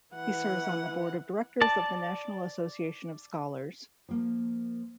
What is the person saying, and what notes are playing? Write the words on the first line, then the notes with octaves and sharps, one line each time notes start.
He serves on the board of directors of the National Association of Scholars.
E3 F#5
D5 A5
F3 A#3